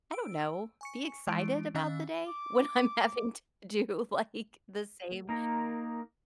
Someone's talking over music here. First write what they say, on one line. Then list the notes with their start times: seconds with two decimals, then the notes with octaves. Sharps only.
I don't know, be excited about the day, when I'm having to do, like, the same
0.12 E6 D7
0.81 G#5 C#6 C#7
1.27 E3 G#3 E4 D7
1.75 D#3 C#4 D#5 F5 E6
2.28 D6
5.29 A#3 D#4 A#4